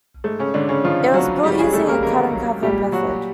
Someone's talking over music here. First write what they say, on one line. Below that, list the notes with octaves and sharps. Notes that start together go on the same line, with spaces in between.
It was built using a cut-and cover method.
G#2 A3
C#3 C#4
G#2 D3 D4
C#3 C#4
D#3 F3 F4
F#3 F#4
G#2 G3 G4
G#3 G#4
G#2 A3 A4
A#3 A#4
D#3 A#3 A#4
F#3
A#2 G3 G4
A#2 F#3 F#4